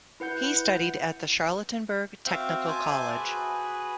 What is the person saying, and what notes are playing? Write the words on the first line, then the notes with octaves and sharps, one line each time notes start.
He studied at the Charlottenburg technical college.
E4 B4 F#5 G6
C4 F#4 C5 E5 F5 G5
C5 E5 G#5 A5 C6 D6
F#4 G#4 B4